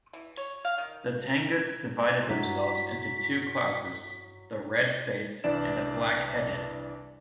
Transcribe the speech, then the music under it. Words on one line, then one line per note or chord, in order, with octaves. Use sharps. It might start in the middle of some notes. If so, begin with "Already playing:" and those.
The Tanguts divided themselves into two classes: the "Red Faced" and the "Black Headed".
E3
C#5
F5
D#3
G2 F#3 E4 B6
C2 E3 D4 D5 E7